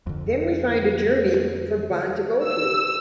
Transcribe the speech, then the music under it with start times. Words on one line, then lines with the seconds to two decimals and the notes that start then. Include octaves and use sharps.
Then we find a journey for Bond to go through.
0.07 F2 D3
2.46 E6